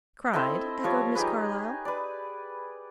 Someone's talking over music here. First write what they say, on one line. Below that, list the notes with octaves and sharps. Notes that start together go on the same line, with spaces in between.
"Cried?" echoed Miss Carlyle.
C4 E4 A4 D#5
F3 G3 C#5
D#4 G4 G#4 B4
B4 D5